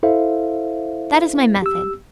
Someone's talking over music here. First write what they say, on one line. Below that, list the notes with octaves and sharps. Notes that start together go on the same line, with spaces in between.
That is my method.
E4 A4 C5 E5 F5
G4 E6